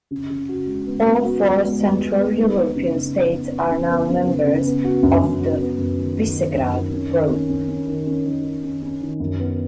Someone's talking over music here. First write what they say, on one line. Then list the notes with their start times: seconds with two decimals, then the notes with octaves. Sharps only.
All four Central European states are now members of the Visegrad Group.
0.11 C#3
0.30 C#3
0.48 F#4
0.67 G#3
0.86 B3
1.06 B3
1.24 F#4
1.43 G#3
1.62 B3
1.81 G#3
2.00 G#3
2.19 B3
2.38 D#4
2.57 D#4
2.76 C#3
2.95 C#3
3.14 D#4
3.33 B3
3.51 B3
3.70 C#3
3.90 B3
4.09 C#3
4.28 C#3
4.46 C#3
4.66 B3
4.84 F#4
5.03 F#2
5.22 F#2
5.41 F#4
5.61 B3
5.79 F#2
5.98 D#3
6.17 D#3
6.36 D#3
6.55 F#2
6.74 D#3
6.93 C#4
7.12 D#3
7.31 C#4
7.49 C#4
7.68 C#4
7.87 D#3
8.06 C#4
8.25 D#3
8.44 D#3
8.63 C#4
8.82 C#4
9.01 D#3
9.20 F#2
9.39 B3